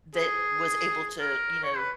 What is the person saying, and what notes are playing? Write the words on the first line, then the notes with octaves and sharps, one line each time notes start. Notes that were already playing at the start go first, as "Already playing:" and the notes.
that was able to, you know,
G#4
A#4
C#5
B4